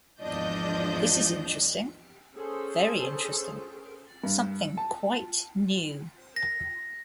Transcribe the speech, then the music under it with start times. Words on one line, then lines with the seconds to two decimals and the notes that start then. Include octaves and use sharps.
This is interesting — very interesting — something quite new.
0.21 G#1 E2 F3 D4 D#5 G6
2.35 C#4 G#4 A4 C5
4.24 G2
4.77 A5
6.36 A#6